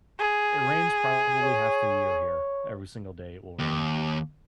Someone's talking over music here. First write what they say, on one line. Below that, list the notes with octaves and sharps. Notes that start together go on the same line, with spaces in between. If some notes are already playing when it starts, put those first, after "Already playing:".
it rains probably half the year here. Every single day it will rain.
G#4
C#5
D#2